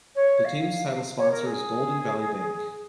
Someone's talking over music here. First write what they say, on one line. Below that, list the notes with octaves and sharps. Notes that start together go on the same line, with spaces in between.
The team's title sponsor is Golden Valley Bank.
C#5
F5
C#5
A#4
G#4